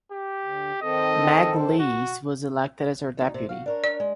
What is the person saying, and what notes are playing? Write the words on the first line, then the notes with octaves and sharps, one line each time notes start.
Meg Lees was elected as her deputy.
G4
D2
D#3 C4 A4 D#5
F#4
D2 D#4
C3
F#4 F5
D4 A#4 C#5
D5
G#3